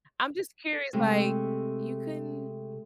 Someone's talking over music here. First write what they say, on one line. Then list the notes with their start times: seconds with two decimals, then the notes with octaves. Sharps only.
I'm just curious, like, "You couldn't,
0.93 C3 G#3 A3